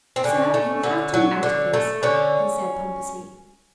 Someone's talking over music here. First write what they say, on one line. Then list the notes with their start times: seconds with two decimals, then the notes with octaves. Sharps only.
"Sir, you will have to move out of this," he said pompously.
0.16 C4
0.24 D3 C#4
0.54 A3
0.83 D3
1.14 F#3
1.43 D3
1.74 A3
2.03 D3 C#4